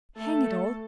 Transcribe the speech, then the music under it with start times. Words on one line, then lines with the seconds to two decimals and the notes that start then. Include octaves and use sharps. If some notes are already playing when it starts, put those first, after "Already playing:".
Hang it all!
0.17 A3 A4